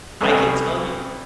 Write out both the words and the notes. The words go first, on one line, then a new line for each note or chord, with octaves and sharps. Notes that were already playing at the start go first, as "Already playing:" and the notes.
I can tell you
C2 A3 C#4 B4 D#5